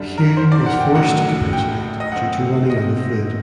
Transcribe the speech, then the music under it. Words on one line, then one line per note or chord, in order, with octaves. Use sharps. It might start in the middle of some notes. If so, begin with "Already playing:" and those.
Hugh was forced to capitulate due to running out of food.
Already playing: F#2 D3 G3 D4
A#4
C5
D5
F#5
G5
A1 A2 F#3 A3 D#4 F#5
G5
D#5
F#2 D#3 A3 C4 F#5
D#5